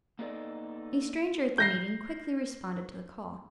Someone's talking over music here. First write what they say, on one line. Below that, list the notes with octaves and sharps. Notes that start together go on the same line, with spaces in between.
A stranger at the meeting quickly responded to the call.
A#3 B3 D#4 A4 D5
G6 A#6 C7